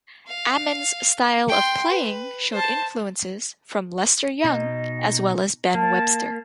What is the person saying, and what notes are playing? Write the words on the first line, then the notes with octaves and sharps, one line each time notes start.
Ammons's style of playing showed influences from Lester Young as well as Ben Webster.
F5
G5 C6
B4
C5 A5
B2 D#4
A#3 A5